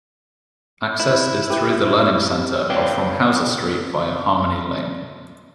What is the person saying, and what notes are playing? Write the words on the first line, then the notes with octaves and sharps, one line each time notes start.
Access is through the Learning Center or from Houser Street via Harmony Lane.
E4 E5 B5
G4 B4
B4 C#5 D5 F5 G5